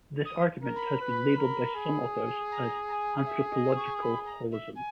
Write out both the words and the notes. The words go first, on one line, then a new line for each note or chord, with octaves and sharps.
This argument has been labeled by some authors as anthropological holism.
D#6
A#4
B5
B4
A#4
G#4
A#5
A#5
G#5
E5
D#5
C#6
B5
A#5
E5
G#5